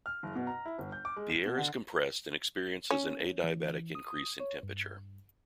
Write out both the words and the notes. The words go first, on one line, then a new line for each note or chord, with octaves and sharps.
The air is compressed and experiences an adiabatic increase in temperature.
F6
F#1
B2
A#5
E4
G1
G6
D6
G#3
E7
B2
D3
C#4
E3
D#6
C#5
G2